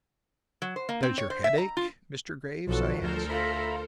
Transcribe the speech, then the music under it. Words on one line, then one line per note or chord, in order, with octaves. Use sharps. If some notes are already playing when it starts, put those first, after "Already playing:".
"Does your head ache, Mr. Graves?" I asked.
F#3
C5
A#3
C4
C#5
C5
E5
A#5
F4
B1 F3 F#4 A4
D2 A4 A#4 C5
F4 E5 A#5 B5